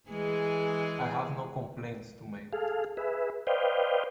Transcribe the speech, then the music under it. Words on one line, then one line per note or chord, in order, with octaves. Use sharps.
I have no complaints to make.
E3 G#3 G#4
G#4 A4 F5
G#4 B4 E5
B4 C5 D5 D#5 F5 G5